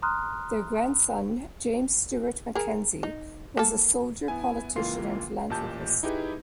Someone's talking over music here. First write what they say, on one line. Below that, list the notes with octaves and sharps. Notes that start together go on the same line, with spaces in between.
Their grandson James Stewart-Mackenzie was a soldier, politician and philanthropist.
A#5 C6 D#6 F6 F#6
G#4 A#4
D#4
A#3 A4
B3 E4 G#5
C#2 E3 A#3 F4 C6 C7
A1 A#2 G4 A5 G6
D#4 E4 G4 G#4 B4